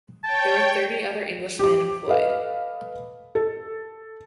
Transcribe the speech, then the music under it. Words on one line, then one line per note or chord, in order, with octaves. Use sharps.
There were thirty other Englishman employed.
C#5 G5 A5
G4 D6
A4 B4 D#5 F5
A4